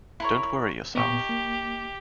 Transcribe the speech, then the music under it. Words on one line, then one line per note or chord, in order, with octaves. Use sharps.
Don’t worry yourself.
E4 A#4 C#5
A#2 B3 D#4 G4 C#6
A#3